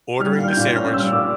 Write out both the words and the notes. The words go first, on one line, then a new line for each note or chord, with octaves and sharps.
ordering the sandwich,
G3 F6
A#2
G6
A#2
C#4 F6
G3 E6
A#2 D6